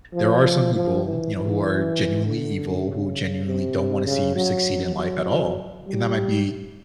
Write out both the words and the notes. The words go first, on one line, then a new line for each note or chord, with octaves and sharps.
there are some people, you know, who are genuinely evil, who genuinely don't wanna see you succeed in life at all, and that might be
F3
F3
E3
E3
D3
C#3
C3
C#3
F#3
F#3
G3